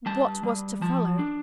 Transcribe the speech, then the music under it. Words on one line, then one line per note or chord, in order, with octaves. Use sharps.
What was to follow?
G3 A5
G3
F3 A5
D4